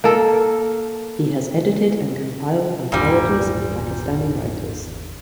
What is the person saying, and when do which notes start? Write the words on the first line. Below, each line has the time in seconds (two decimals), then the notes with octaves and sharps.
He has edited and compiled anthologies of Pakistani writers.
0.04 A#3 A4
2.92 G#1 E2 A#2 G3 D4